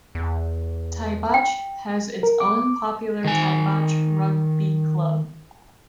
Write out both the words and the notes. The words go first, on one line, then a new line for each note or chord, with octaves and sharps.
Taibach has its own popular Taibach Rugby Club.
E2
G5
A#4
D6
D#3 G#5